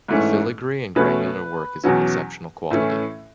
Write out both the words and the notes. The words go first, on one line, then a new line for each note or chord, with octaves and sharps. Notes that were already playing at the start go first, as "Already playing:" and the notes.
The filigree and granular work is of exceptional quality.
G#2 E3 A3 C#4
B2 A3 C#4 B4
E2 B2 F#3 C#4
A2 E3 A3 C#4